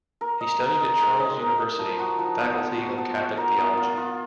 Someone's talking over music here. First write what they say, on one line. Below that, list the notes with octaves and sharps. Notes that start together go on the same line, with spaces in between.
He studied at Charles University, faculty of Catholic Theology.
A#4
D#5
A#4
D#4
G#3
D#5
A#4
D#4
F3
F#4
F3
B3
F3
F#4
F3
F#4
A#4
B3
F4
F4